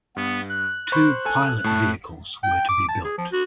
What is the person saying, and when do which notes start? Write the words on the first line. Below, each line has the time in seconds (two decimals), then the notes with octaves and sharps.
Two pilot vehicles were to be built.
0.16 G2 B3
0.49 F#6
0.92 C5 B5 C#6
1.25 A4 G#5
1.64 A2 A3 A5
2.43 G5
2.68 D6
2.88 A5
3.04 G#4
3.18 F3
3.32 F#4